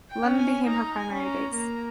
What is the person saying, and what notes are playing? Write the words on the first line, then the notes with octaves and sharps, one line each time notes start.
London became her primary base.
G5
C#4
G#5
D#4 A#5
G#5
C#4
A#5
A#3 A#5